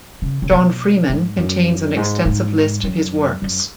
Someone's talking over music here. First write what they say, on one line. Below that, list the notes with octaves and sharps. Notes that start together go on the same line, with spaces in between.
John Freeman contains an extensive list of his works.
C#3
C#3
B2
G#2
F#2
G#2
G#2
F#2
F#2